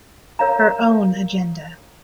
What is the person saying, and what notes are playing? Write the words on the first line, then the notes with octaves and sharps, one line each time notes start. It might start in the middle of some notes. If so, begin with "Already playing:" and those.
Her own agenda.
A#4 C#5 F5 A#5